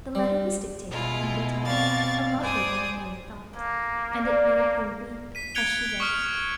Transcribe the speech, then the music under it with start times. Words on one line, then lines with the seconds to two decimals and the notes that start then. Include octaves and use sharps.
The letter was dictated and written--a lovely one, Mary thought--and it made her weep as she wrote it.
0.15 G3
0.91 B2 G#3 E4 F4
1.65 C4 D5 F5 C#6 A6
2.41 G2 C5 D5 G#5 D#6
3.53 A2 A#3 A4 G#5
4.13 D4
5.35 B6 D#7
5.55 F#6 G#6 C#7 D7 F7 G7
6.00 C#6 D#6 F6 C#7